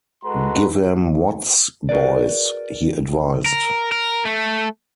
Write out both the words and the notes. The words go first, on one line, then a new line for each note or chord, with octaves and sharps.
"Give 'em Watts, boys!", he advised.
G#3 F#4 A4 B4 A#5 C6
F#4 G#4 A#4 B4 D5
A#4
A#4
A3